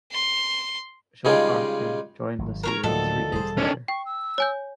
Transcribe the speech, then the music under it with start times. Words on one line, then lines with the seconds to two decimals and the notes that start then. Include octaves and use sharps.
Joelle Carter joined the series three days later.
0.12 C6
1.25 C#3 G3 G#3 D#4 F4 G#4
2.38 G#1 F#3
2.63 A#4 C#5 A#5
2.84 D2 A2 D#3 F3 F#3 A#3 A4
3.32 E1 G3 G#4 C5
3.58 D#3 C#4 D4 C5
3.88 G5 C#6
4.06 E6
4.38 C#5 G#5 G6